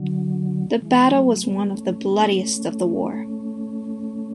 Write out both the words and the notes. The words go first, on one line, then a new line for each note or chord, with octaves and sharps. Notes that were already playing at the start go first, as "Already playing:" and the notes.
The battle was one of the bloodiest of the war.
Already playing: D3 F#3
E3 G#3
F#3 A3
G#3 B3
A3 C#4
B3 D4
G#3
A3
B3
A3 C#4
A3 C#4